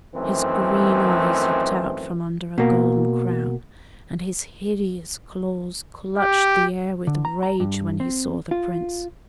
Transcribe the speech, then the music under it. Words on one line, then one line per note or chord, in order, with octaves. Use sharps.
His green eyes looked out from under a golden crown, and his hideous claws clutched the air with rage when he saw the Prince.
F#2 D#3 E3 A3 C4
B2 A#3
G4
D3
A#5
A#5
G2
C4
F4